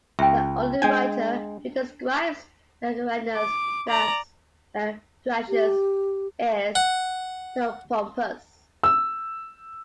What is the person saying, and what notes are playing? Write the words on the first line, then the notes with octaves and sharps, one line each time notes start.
The only writer who describes the Agrianes as Thracians is Theopompus.
C#2 E5 G5
G#3 D4 G5 G#5
D6
D5 A#5
G4
F#5
E6